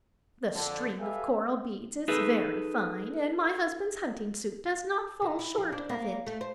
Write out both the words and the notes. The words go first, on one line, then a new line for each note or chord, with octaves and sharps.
The string of coral beads is very fine, and my husband's hunting suit does not fall short of it.
F2 D3
G4 A4 B4 E5 F5 G#5
D#4 G#4 A4 B4 E5
D#3
E4
F3
D4
A#3
A3
C5